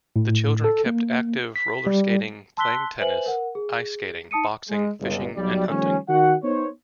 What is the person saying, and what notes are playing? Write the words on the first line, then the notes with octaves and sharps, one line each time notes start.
The children kept active roller-skating, playing tennis, ice-skating, boxing, fishing and hunting.
A2
A4
A#3
B6
G3
A5 C6 E6 F#6 B6 G7
B4 C5 E5 G#5 F#7
A#4 F#5
G#4
D#4 A5 D#6 C#7 D#7
G#3
G1 C#2
B1 F#3 G3 D5
D#3 F3 G3 A3 C#4
D#3 F#4 F#5
B3 D#4 C5 C#5